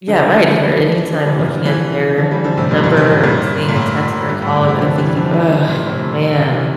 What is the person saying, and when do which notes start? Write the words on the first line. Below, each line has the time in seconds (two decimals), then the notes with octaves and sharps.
Yeah, right, if you're at any time looking at their number or seeing a text or a call and and thinking, "Ugh, man,"
0.08 D3 F3
0.14 G3
0.21 D3 F3
0.34 D3 F3
0.47 E3 G3
0.60 E3 G3
1.13 D3 F3
1.26 C3 E3
1.39 A#2 D3
1.65 C3 E3
2.18 D3 F3
2.31 E3 G3
2.44 D3 F3
2.57 A2 C3
2.71 G2 A#2
2.83 G2 A#2
2.97 C3 E3
3.10 A2 C3
3.23 G2 A#2
3.69 A#2
3.76 A2
4.28 G2
4.42 A2
4.55 A2
4.68 C3 E3
4.81 D3 F3
4.98 E3 G3
5.16 D3 F3
5.34 E3 G3
5.48 G3
5.51 D3 F3
5.69 A#2 D3
5.86 A2 C3
6.39 A#2 D3
6.52 C3 E3